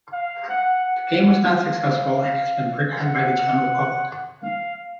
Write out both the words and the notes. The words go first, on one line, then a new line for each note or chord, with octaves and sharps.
The game was not successful and has been forgotten by the general public.
F5
F#5
F#5
F5
F#5
F5